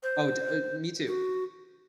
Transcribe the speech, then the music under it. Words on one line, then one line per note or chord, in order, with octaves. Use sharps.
Oh, d uh, me too.
C5
F#4